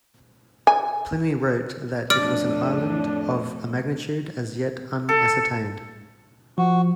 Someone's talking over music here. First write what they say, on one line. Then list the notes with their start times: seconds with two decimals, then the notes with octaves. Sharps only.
Pliny wrote that it was an island "of a magnitude as yet unascertained".
0.67 G#5
2.10 F2 A2 D4 D5 F6
5.09 A4
6.58 F3 F#4